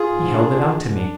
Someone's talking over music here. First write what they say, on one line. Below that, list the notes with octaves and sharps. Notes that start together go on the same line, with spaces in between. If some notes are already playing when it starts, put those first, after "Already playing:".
He held it out to me.
Already playing: F4 G#4
G#2
D4
D4
G#2
D4